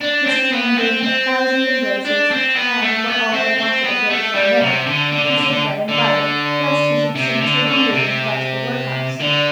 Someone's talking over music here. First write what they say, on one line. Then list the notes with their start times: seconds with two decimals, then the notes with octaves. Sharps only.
Mrs. Mann gave him a thousand embraces, and what Oliver wanted a great deal more, a piece of bread and butter, less he should seem too hungry when he got to the workhouse.
0.01 D4
0.27 C4
0.53 B3
0.78 C4
1.03 C4
2.05 D4
2.31 C4
2.56 B3
2.82 A3
3.08 B3
3.33 C4
3.59 C4
3.84 B3
4.10 A3
4.35 G3
4.61 C3
4.86 D3
5.12 D3
5.24 D3
5.38 D3
5.50 D3
5.88 D3
7.15 C3
7.41 D3
7.66 D3
7.93 C3
9.20 D3